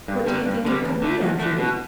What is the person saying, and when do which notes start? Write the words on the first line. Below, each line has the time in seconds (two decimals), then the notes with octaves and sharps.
"What do you think it could be, Andrew?"
0.08 G2
0.26 D3 G3
0.45 G2
0.65 D3 G3
0.83 E2
1.02 D3 A3
1.20 E2
1.39 D3 A3
1.58 B2